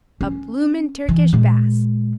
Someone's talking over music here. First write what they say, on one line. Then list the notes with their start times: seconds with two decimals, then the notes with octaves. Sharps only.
A bloomin' Turkish baths!
0.21 C#4
1.09 E3
1.33 A#2 G#3